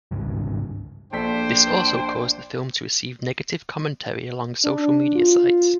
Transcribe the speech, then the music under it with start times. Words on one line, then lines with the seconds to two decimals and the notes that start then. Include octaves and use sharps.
This also caused the film to receive negative commentary along social media sites.
0.11 G#1 C#2 G2
1.13 A#1 D4 A4 C5 G5 B6
4.65 D4
5.16 F4